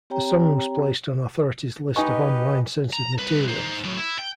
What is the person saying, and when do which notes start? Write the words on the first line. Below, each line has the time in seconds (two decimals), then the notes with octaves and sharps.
The song was placed on authorities' list of online censored materials.
0.10 C4 G4 C#5 G5 A#5
1.96 D#4 G4 B4 D#5 G#5 C#6
2.93 A#5
3.19 C2 B4
3.48 D#4 C5
3.84 A2 F#3
3.97 E4
4.19 G5